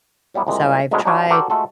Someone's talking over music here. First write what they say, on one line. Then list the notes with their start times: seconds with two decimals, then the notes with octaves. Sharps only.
so I've tried
0.34 F#3 G3 B3 E4
0.47 C2 A#2 G#3
0.91 D2 G#2 B2 G#3 C#4 A#5
1.05 D4 D#4 F4 F#4 C#5
1.30 F#4 G4 A4 A#4 C5 D5
1.50 G#3 A3 F4 F#4 A4